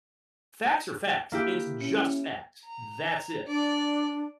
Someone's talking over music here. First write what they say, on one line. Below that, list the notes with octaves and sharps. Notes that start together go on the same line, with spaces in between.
Facts are facts. It's just facts. That's it.
A#3 E4 G4
C#4 E4 C#7
A#5
D4 D5